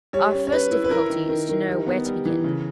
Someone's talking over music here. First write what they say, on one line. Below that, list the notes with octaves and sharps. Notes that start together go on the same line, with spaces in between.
Our first difficulty is to know where to begin.
G3 C#5
C#4
C#5
C#4 B4
E4
B4
E4 A#4
D#3
D#3
D#3
G3
B3
G3
E3
C#3